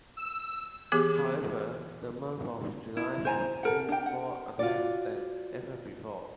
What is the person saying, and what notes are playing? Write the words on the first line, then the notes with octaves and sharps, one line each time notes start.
However, the month of July has seen more attacks than ever before.
E6
E3 B3 G4 G#4 D6
E4
C5 G#5 A#5
A4 A#4 F#5
D4 G5
F#5
F4 F#4 D5